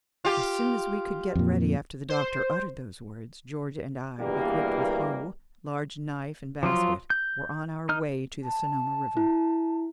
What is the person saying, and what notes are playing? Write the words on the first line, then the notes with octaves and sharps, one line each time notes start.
As soon as we could get ready after the doctor uttered those words, Georgia and I, equipped with hoe, large knife, and basket were on our way to the Sonoma River.
F4 G4
F2 A#2
C5
E2 G2 B2 E3 G3 A#3
F3 F#3 F4
G6
D#4 F6
A5
E4